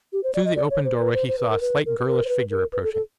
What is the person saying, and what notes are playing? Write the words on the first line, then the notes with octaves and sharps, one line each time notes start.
Through the open doorway he saw a slight girlish figure approaching.
G4
C5
D5
D#5
D5
C#5
C5
B4
C5
C5
B4
A#4
B4
A#4
B4
A#4
C5
B4
A#4
B4
A4
A4